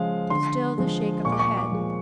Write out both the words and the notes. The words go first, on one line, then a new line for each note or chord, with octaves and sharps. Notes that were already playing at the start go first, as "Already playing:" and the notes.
Still the shake of the head.
Already playing: C#3 F3 G#3 F5
D3 C6
F3 G#3
A#2 C#6
D6
C#6
D6
F3 G#3